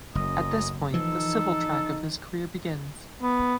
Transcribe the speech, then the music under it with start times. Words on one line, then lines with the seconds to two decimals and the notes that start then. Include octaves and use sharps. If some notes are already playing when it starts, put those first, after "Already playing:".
At this point the civil track of his career begins.
0.15 F#1 F#2 D#5
0.94 E3 F3 D#4 A4
3.22 B3